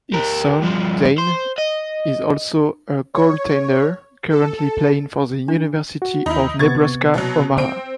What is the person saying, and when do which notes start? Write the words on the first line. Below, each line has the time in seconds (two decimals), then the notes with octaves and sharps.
His son, Dayn, is also a goaltender, currently playing for the University of Nebraska-Omaha.
0.14 G4 A#4
0.63 G2 F3
1.18 C5
1.58 D#5
3.14 C#5
4.30 A4
5.48 D4
6.02 F#4
6.26 D#2 D#4 E4 B5
6.59 C3 B3 C#6 G#6 A6
7.14 B2 F#3
7.58 C4 D7